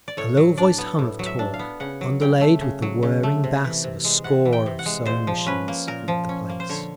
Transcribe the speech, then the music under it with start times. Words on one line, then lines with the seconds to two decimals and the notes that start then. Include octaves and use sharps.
A low-voiced hum of talk, underlaid with the whirring bass of a score of sewing machines, filled the place.
0.08 D5
0.17 A2 C#5
0.37 F#3
0.57 D4 D5
0.78 B3
0.99 A2
1.19 F#3
1.26 E5
1.39 D4
1.54 F5
1.59 B3
1.80 C#3 F#5
2.01 F#3
2.21 C#3 G5
2.41 A3
2.61 C#3
2.82 F#3
3.03 C#3
3.23 A3
3.44 C3
3.64 E3
3.84 C3
4.05 G#3
4.24 C3 F#5
4.45 E3
4.53 G5
4.66 C3
4.79 F#5
4.86 G#3
5.05 A#2 C5
5.27 F3
5.46 C#4 B4
5.68 A#3
5.87 A#2 A#4
6.08 F3
6.29 C#4
6.49 A#3
6.60 C5
6.69 D3 C#5